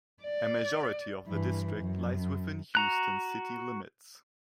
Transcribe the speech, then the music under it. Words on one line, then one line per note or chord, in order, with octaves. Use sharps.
A majority of the district lies within Houston city limits.
D5
G2 E3
F#2
F#4 A#5 F#6